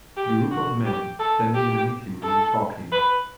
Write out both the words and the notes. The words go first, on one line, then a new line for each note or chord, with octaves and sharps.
Group of men standing in a meeting room, talking.
G4
F#4
G4
A4
G4
A4
B4